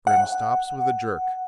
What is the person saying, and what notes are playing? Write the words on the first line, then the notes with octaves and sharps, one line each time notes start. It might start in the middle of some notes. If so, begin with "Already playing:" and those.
Grim stops with a jerk.
F#5